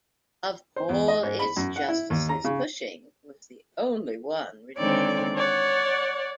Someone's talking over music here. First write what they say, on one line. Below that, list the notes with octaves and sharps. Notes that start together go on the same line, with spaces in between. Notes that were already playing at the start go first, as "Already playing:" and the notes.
Of all its justices, Cushing was the only one retained.
C5
E2
D#5
G#2
B5
F#2
F#5
E4
D#2
A#5
C#3
D3 D#3 G#3 C4 C#5 D5
C#5 D5 F#5